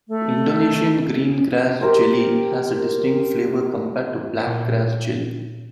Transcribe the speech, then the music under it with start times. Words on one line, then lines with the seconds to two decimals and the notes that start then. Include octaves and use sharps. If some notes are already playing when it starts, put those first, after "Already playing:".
Indonesian green grass jelly has a distinct flavor compared to black grass jelly.
0.09 A3
1.81 G4 A#4 C5
4.47 A#2